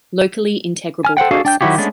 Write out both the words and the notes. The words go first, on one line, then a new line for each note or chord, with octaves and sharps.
Locally Integrable Process.
G#5 F6
A4 C5 F#5 G5
D4 F#4 G#4 A4 F5
D4 G5 G6
D#3 F#3 E4 F#4 G4
G#3 A3 B3 C#4 D4